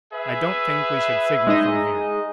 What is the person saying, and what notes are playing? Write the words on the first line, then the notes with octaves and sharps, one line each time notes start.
"I don't think we should signal from here."
G#4 B4 E5
G#3 D#4 D#5